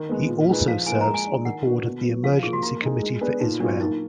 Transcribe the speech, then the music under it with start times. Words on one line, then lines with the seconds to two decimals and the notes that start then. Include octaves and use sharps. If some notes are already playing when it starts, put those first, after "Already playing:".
He also serves on the board of the Emergency Committee for Israel.
Already playing: D#3
0.09 G#3 B3
0.28 A#2
0.48 G#3 D#4 G#4 B4
0.67 F3 F5
0.87 A#3 F4 B4 G#5
1.01 A#5
1.07 G#3
1.14 G#5
1.27 D4 F4
1.45 D#3 F#5
1.65 A#3 D4 F#4 B4
1.84 B2
2.04 F#3 B3
2.23 F3 F5
2.43 A#3 F4 G#4
2.53 F#4
2.63 A#3 F4
2.82 D#4 G#4
3.02 G#3
3.21 B3 D4 G#4 B4
3.40 A#2 D#4
3.60 F#3 B3 D4 F4
3.80 A#3 D#4